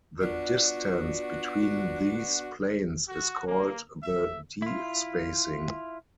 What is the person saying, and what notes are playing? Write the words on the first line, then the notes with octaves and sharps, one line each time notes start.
The distance between these planes is called the d-spacing.
B3 D4 F4 F#4 D5
F#4
A#3
E5
E4 F4